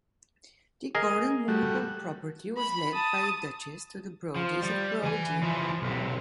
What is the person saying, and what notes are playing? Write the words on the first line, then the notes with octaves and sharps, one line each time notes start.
The Gordon "moveable" property was left by the Duchess to the Brodies of Brodie.
G#4 A#4 D#5
G3 A3 F#4
B5
A5 D#6
F3
G3
E3 G#5
E3 F3
B1 C3